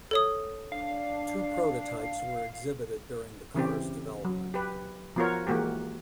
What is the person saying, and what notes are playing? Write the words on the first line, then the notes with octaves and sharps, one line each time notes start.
Two prototypes were exhibited during the car's development.
A4 C#5 D#6
D4 F5
C#3 E3 C4 G4
F#3
G4 B4
F3 B3 F4 F#4 A#4 C#5
E3 G#3 A#3 F#4 G4